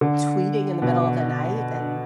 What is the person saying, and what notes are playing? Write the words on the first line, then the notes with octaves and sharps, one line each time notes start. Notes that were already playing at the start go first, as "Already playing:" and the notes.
tweeting in the middle of the night and
D3
B2